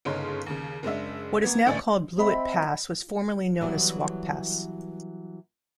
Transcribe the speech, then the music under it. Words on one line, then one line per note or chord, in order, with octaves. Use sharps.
What is now called Blewett Pass was formerly known as Swauk Pass.
G1 G#2 C#3 C#4 C6
D#2 C#3
F#1 G#3 D4 E5
A#3 B3 G#6
A1 D2 A3 D5 G#5 A6
C4 D#5 E5 B5
E3 F#3 G3 B3